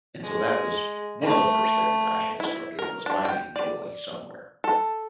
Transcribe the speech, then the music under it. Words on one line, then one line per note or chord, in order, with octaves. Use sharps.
And so that was one of the first things that I had to start doing, was finding joy somewhere.
G#3
A3
E4
A#4
D4
G5
D5
A4